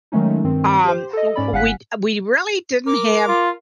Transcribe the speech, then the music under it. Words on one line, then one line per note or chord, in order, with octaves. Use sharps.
um, w we d uh, we really didn't have
D#3 F#3 G#3 A3 C#4 D#4
G2 D#3 C4
G4 C5
A4 D#5
G#2 C#4 D5 B5
G1 F5 F#5 G#5 F#6 B6
A#4 D6
F4